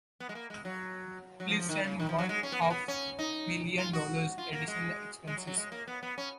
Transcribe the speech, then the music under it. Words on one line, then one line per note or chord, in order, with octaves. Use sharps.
Please send one-half million dollars additional expenses.
B3
G#3
A#3
G#3
F#3
F#3
F3
F3
D#3
C#3
D#3
F3
F#3
G#3
C#4
B3
A#3
B3
C#4
D#4
F4
F#4
F4
A#3
G#3
G#3
F#3
F#3
G#3
A#3
B3
B3
C#4